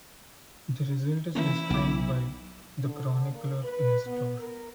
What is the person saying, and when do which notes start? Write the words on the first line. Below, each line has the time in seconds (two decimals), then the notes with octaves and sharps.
The result is described by the chronicler Nestor.
1.35 E3 A#3 C#4 E4
1.70 B1 D6 D7
2.86 D3
3.30 A#3
3.64 B4
4.06 B3
4.38 A#4